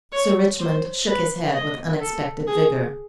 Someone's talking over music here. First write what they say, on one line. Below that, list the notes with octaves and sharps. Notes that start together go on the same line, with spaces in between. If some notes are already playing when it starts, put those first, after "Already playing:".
Sir Richmond shook his head with unexpected vigour.
C#5
C5
B4
D#5
A4
G#4